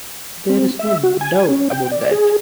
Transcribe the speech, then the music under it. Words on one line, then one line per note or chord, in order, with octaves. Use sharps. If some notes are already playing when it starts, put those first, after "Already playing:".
There's no doubt about that.
C4
E5
F#4
G#5
C#4
G5
D5
G#4